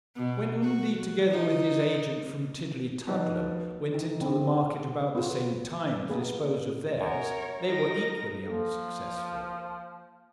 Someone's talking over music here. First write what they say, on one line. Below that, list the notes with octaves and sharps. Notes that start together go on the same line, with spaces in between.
When Undy, together with his agent from Tillietudlem, went into the market about the same time to dispose of theirs, they were equally unsuccessful.
B2
F#4
D#4
F3 B3 D#4 F#4
D#4
D3 C4 D#4
B3 F4 F#4 G#4
A#3 B3 G#4
F#2 A#4 C#5
D#4 A#4 A#6
F3 A#3 A4